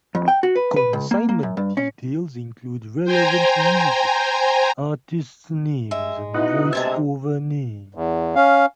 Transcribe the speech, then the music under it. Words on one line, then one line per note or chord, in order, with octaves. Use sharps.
Consignment details include relevant music, artists names and voice-over names.
F2
G5
F#4
B4
B4
C#2
A#3
A#3
F#2
G2
C#4
C5 G5 G#5 A#5
G#3 E5
B2 D#4 E4 D#5 F#5
D2 C3 G#3 D#4 E5 A5 G#6
E2
C#4 F5